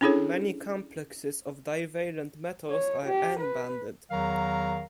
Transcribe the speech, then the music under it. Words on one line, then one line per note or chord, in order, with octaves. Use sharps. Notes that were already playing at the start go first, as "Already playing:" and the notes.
Many complexes of divalent metals are "N"-bonded.
C#4 D4 E4 G#4 A4 C#5
C#5
G4
B4
E2 D#3 F#3 A#4 F5 A#5